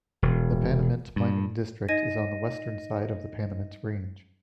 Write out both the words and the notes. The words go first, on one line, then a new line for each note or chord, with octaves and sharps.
The Panamint Mining District is on the western side of the Panamint Range.
E1
G2
D#4 D#5 A#6 D#7